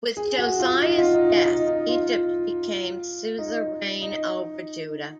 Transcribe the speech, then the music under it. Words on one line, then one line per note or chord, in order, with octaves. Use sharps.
With Josiah's death Egypt became suzerain over Judah.
G#4
F#4
F4
D#4
F4
D#4
F4
D#4
D#4
F4
D#4
D#4